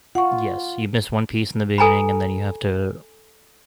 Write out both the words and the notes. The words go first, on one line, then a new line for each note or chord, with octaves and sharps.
Yes, you've missed one piece in the beginning and then you have to
F4 F#5 C#6
A4 G#5 A#5 B5